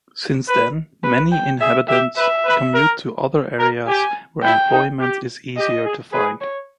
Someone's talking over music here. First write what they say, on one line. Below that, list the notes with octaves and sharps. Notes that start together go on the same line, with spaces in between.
Since then, many inhabitants commute to other areas where employment is easier to find.
B4
B4
G5
G#4 E5
G4 E5
B4 E5
B4
A#4
A#4
G4 G#5
E4 G5
D#4
G4
G4 D#5
G#4
G#4 B4
C#5